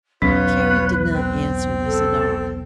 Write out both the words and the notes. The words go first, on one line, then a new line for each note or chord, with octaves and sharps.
Carrie did not answer this at all.
B1 E2 C#4 F4 B4 C#5
C4
A4